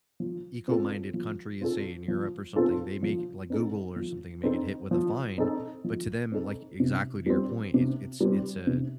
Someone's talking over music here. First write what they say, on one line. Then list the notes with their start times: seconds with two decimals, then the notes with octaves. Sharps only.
eco-minded countries, say, in Europe or something, they may g like, Google or something may get hit with a fine, but to them, like exactly to your point, it's it's it's a,
0.20 F3
0.68 C4 F4 A4
1.14 F3
1.61 C4 F4 A4
2.08 F3
2.56 C4 F4 A4
3.03 F3
3.50 C4 D#4 A4
3.96 F3
4.43 C4 D#4 A4
4.91 F3
5.38 C4 D#4 A4
5.84 F3
6.32 C4 D#4 A4
6.80 C3
7.26 G3 C4
7.74 C3
8.21 G3 C4
8.67 C3